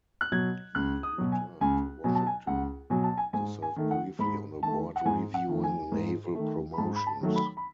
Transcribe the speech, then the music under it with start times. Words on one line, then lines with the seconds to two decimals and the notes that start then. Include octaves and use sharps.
He returned to Washington to serve briefly on a board reviewing naval promotions.
0.21 F#6
0.32 B2 F#3 G#6
0.75 C#2 F#6
1.03 D#6
1.18 B2 F#3
1.32 G#5
1.61 C#2 G#5
2.04 B2 F#3 G#5
2.15 A5
2.27 G#5
2.47 C#2 F#5
2.90 B2 F#3 G#5
3.04 A5
3.17 G#5
3.33 G#2 G#5
3.62 G#5
3.76 D#3 A3
3.91 F#5
4.19 G#2 B5
4.63 D#3 A3 A5
4.96 F#5
5.05 G#2 G#5
5.34 F#5
5.49 D#3 A3
5.63 G#5
5.92 G#2
6.35 D#3 A3
6.73 B5
6.78 G#2 A5
6.96 B5
7.07 A5
7.21 D#3 F#3 A3
7.35 B5
7.57 B5